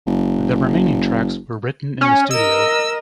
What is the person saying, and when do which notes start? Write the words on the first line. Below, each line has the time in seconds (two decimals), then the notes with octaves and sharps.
The remaining tracks were written in the studio.
0.06 F#1
2.01 C#4
2.31 A#4 D#5 E6